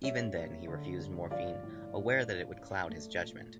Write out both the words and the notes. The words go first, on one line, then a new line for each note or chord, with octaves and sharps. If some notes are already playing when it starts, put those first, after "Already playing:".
Even then he refused morphine, aware that it would cloud his judgement.
G3 C#5 E5
A#3
D3
G2
F3 D5 F5
A2
A2
A2
C#4
A3
A#2